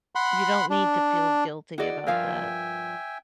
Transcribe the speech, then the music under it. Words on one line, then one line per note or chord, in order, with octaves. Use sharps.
you don't need to feel guilty about that.
F#5 B5 C6
D4
E4 F#4 G#4 D5 D#5
G2 F3 A#4 D5 E5 F5 G5 G#5